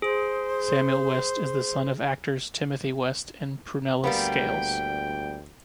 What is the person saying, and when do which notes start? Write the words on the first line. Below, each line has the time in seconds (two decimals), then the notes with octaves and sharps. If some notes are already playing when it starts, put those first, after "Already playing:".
Samuel West is the son of actors Timothy West and Prunella Scales.
0.02 G#4 C5
4.04 D2 G3 A#3 B3 G5